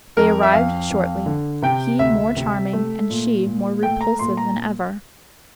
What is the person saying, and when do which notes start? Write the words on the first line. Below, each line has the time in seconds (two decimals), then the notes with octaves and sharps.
They arrived shortly; he more charming and she more repulsive than ever.
0.17 F2 A#4
0.43 E5
0.53 F2 F5
0.90 F2
1.26 D3
1.62 C3 G5
1.99 D2 E5
2.36 C3
2.73 A3
3.10 A#2
3.46 A#2
3.83 A3 G5
4.01 A#5
4.19 A#2 C6
4.37 A#5